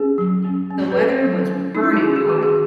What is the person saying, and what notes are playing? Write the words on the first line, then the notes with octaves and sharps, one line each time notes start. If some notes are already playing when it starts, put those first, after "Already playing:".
The weather was burning hot.
Already playing: C#4 G#4
F#3
C#4
C#4
B4
C#4 A4
F#3
C#4
C#4 D#4
E4
F#4
C#4 G#4
G#4
D#3 F#4
G#4